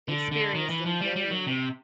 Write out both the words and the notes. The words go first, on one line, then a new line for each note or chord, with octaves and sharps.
experienced in gaming
D3
D3
D#3
E3
F3
G3
G3
F#3
C3